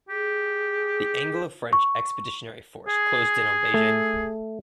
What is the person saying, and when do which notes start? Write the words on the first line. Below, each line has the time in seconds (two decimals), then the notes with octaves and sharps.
The Anglo-French expeditionary force closed in on Beijing.
0.09 G4 G#4
1.73 C#6
2.87 G#4
3.74 A3